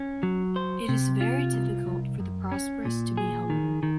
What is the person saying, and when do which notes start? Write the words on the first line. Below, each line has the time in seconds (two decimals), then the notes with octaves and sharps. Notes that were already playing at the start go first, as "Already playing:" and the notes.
It is very difficult for the prosperous to be humble.
Already playing: C#4
0.23 F#3
0.56 C5
0.89 C3
1.21 F4
1.53 C2
1.86 C2
2.20 F#2
2.52 C#4
2.85 A#2
3.17 G#4
3.50 D#3
3.83 D#3